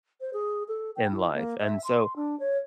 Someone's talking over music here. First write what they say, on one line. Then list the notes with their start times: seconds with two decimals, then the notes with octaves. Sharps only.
in life, and so
0.21 C5
0.33 G#4
0.68 A4
0.96 G5
1.11 E4
1.34 A#3
1.60 E5
1.84 C6
2.16 D4
2.40 C#5